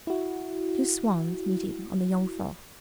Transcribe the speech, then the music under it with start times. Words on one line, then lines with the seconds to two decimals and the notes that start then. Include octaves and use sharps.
Two swans meeting on the Jungfrau.
0.07 E4 F#4